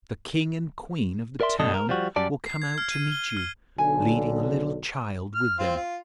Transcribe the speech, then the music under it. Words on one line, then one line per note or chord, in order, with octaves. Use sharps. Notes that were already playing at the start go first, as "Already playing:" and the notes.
The King and Queen of the town will come out to meet you, leading a little child with them.
A#4 D5 E5 C6
G2 B2 D4 A4 D#5
A#4
F3 G3 F#4
F#2 G3 D5 A5
C7
G#6
F6
D#7
G7
F6
B1 D3 G#5
F6
C4 F4
F4